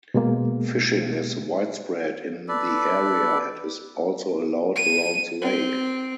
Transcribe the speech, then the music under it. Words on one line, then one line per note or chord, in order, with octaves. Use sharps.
Fishing is widespread in the area and is also allowed around the lake.
B2 G#3 A#3
A4 B4 D5
D#7
C4